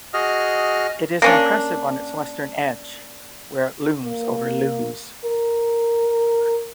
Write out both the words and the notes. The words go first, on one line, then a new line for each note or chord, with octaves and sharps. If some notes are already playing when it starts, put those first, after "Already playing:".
It is impressive on its western edge, where it looms over Lewes.
F#4 G#4 D#5 F6
A#3 C#4 D4
A#3
A#4